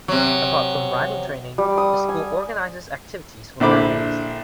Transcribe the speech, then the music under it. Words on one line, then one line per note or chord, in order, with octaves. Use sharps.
Apart from riding training, the school organises activities for families.
C3 F#3
G3
D#6
G#5
A#1 D3 E4 C5 B5 D6